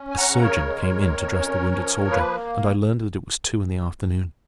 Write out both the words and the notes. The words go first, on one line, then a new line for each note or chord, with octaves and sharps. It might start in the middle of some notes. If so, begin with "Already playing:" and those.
A surgeon came in to dress the wounded soldier, and I learned that it was two in the afternoon.
Already playing: C#4
G#5
F#5 A#5
C#3
A#4 C#5
G#3
F2
C#4
F3
A#3 B4